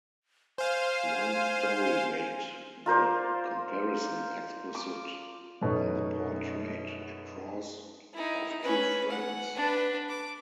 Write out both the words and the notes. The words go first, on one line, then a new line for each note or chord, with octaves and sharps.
One story made the comparison explicit in the portrait it draws of two friends.
C5 F5 G#5
F4 A#4 C5 D5
D6
F#2 B2 A3 C#4 D#4 C#6
D#4 E4
C#4 B4
F#5
D4 B4
D6